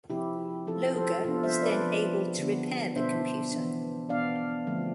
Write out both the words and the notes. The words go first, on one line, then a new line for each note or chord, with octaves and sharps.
Loga is then able to repair the computer.
C3 F3 C4 E4 G4
F3 C4 F4 A4
A4 C5
C3 F3 B3 D4 F4 A4
C5 E5
B4 D5
F3 C4
D3 G3 B3 D4
B2 B3 D4 C5 E5
E3 B3 D4
B2 B3 D4 D5 F5
D3 F3 A3 C4